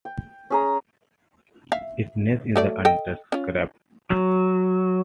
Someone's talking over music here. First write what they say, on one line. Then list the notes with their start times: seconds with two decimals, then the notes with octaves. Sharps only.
Its nest is undescribed.
0.05 G5
0.50 C#4 G#4 A#5
1.72 E5 F5
2.56 F#3 A3 D5
2.85 A4 D#5 G5
3.32 C#4 F4
4.10 F#3